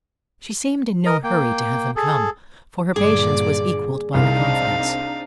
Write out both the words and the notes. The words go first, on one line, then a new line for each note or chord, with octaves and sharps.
She seemed in no hurry to have them come, for her patience was equalled by her confidence.
A#4 D#5
A#3 G5
G#4 A4
G2 A#2 D3 G#4 D5 D6
C2 C4 D4 D#4 F5